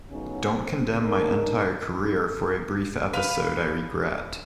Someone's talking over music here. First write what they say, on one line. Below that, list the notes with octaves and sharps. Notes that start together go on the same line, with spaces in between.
Don't condemn my entire career for a brief episode I regret.
A2 C#3 F#3 B3 C#4 D#4
C4
C#3 D4 D#4 A#4
B4 F5